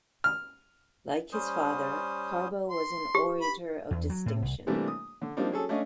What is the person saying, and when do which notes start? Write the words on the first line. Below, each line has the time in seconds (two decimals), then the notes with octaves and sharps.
Like his father, Carbo was an orator of distinction.
0.24 F6
1.32 G3 C#4 C5 D#6
2.70 C6
3.15 G4
3.41 B5
3.91 E2
4.10 F#3
4.26 A2
4.42 C2
4.67 C3 E3 G3 A3 A#3 D4
4.88 D#6
5.21 D3
5.37 F3 G3 A#3 C4 D4 D#4
5.51 F#3 C#4 G#4 A4
5.69 A3 C#4 D4 D#5 F5